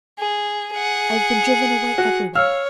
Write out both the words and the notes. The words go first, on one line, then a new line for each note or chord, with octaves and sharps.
"I have been driven away everywhere."
G#4
G#4 F#5
F#4
C#5 F5 E6 F6